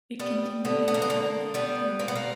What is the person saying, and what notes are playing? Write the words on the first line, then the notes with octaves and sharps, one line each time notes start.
It continued under that name through now.
G3 B3
D3 B3
B3
A#3
B3
D3 A#3
G3 B3
A#2 A#3
B3
A#3